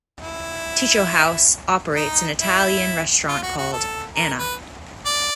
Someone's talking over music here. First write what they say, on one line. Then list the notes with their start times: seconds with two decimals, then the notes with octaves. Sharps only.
Ticho House operates an Italian restaurant called Anna.
0.20 E4
1.96 D#4
2.40 E4
3.28 F4
3.43 F#4
3.58 F#4
3.73 A4
4.16 A#4
4.39 B4
5.06 D5